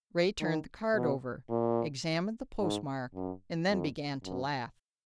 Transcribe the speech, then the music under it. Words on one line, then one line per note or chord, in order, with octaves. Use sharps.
Ray turned the card over, examined the postmark, and then began to laugh.
D#3
B2
A#2
G#2
F#2
F2
F#2